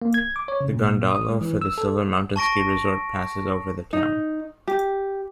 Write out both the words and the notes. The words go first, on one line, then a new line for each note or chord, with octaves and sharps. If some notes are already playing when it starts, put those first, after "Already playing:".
The gondola for the Silver Mountain ski resort passes over the town.
A#3
G#6
D6
C#5
C#3
A#2
D#6
G#3
E3
E6
A4
A5 C#6 A#6 D7
D#4
G4